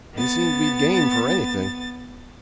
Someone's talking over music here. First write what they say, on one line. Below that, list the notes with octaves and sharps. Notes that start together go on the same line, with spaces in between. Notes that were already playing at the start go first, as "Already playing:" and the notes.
They seem to be game for anything.
B3 A6